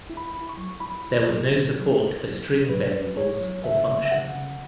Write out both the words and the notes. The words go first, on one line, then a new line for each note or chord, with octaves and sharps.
There was no support for string variables or functions.
E4
B5
E4
C#6
F#3
E4 B5
E4
F#3 G#4
F#3
F#3
E4
F#3
F#3
F#3 B4
F#3
E4 C#5
F#3
C#3 E5
C#3
E5
C#3 F#5
C#3